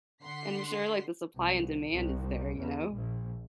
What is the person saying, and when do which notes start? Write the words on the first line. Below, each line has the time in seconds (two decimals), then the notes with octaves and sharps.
And I'm sure, like, the supply and demand is there, you know.
0.23 D3 F#5 C6 B6 C7
1.36 C2
1.92 C2
2.59 E2
2.96 A#1